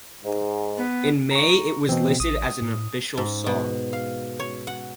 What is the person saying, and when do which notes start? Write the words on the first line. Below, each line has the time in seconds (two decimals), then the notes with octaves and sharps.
In May it was listed as an official song.
0.25 G#2
0.78 B3
1.31 A#5 C#6
1.89 B2 E3 C4
2.20 A1 D#6
2.62 A2
3.17 G#2
3.46 B2
3.93 F5
4.40 C#5
4.67 F#5